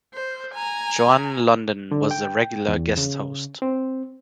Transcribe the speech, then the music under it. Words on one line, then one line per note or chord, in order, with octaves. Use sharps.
Joan Lunden was a regular guest host.
C5
G#5 A#5
D3
G5
E2
C#3
C4